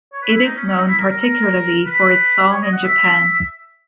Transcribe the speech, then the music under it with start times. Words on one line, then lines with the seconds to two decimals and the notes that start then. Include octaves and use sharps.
It is known particularly for its song in Japan.
0.13 C#5
0.22 B4
0.33 E4
0.44 D#4
0.55 C#4
0.65 C#4
0.77 D#4
0.88 E4
0.98 A#4
1.09 A#4
1.20 A#4
1.86 B4
2.51 C#5
2.62 D#5
2.72 F#5
2.83 E5